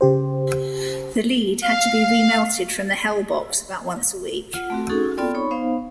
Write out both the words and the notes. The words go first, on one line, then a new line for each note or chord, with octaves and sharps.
The lead had to be remelted from the "Hell box" about once a week.
C#3 G4 C5
F5
F4 F#5
A3 C4 F#4
C#4 D#4 F#4 G#4 A4
B3 C4 F4 A4 D5 G5
D#4 C#5 B5 C#6
B3 D#4 C5 F5